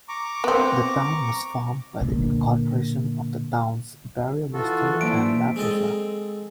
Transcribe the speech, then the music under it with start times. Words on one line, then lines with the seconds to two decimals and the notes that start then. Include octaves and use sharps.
The town was formed by the incorporation of the towns Barriobusto and Labraza.
0.09 A#5 C#6 D6
0.44 B3 C4
2.01 A#2 D3
4.53 E3 F4 F#4 A4
5.01 F#3 A#3 D4 C5 E5 D7
5.56 G#3 C4 A4 D#5